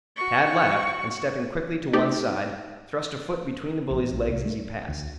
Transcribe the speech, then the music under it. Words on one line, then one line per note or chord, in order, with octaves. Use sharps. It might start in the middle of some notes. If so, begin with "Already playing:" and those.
Tad laughed, and stepping quickly to one side, thrust a foot between the bully's legs as he passed.
F#4 C#6
A3 D#4 G4 D5
A1
A#1
C2
A3
D2